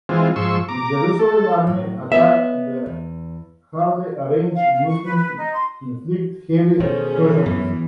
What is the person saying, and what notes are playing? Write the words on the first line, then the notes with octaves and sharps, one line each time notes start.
The Jerusalem army attacked the hurriedly arranged Muslims, inflicting heavy casualties.
E3 G#3 C4 F4
G#2 F3 C6 C#6 E6
A#5 D6
A4
A2 F#3
B3 C#5 D#5 E5
E2
F5
F5
C#6
B4
B4
D#4
C6
B2 D#3 C#4 G#4 A4 C5 C#5
E3
F#2 B3